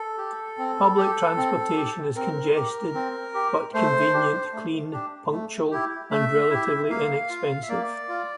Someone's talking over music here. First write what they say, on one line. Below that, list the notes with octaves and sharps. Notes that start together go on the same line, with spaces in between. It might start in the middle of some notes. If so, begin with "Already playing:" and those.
Public transportation is congested but convenient, clean, punctual, and relatively inexpensive.
Already playing: A4
G4
C4
G4
C4
G4
C4 A#4
G4
C4
G4
A3 C5
D4 G4
A3
D4 G4
A3
E4 G4
A3 E5
E4 G4
A#3 F5
F4
E5
A#3 D5
F4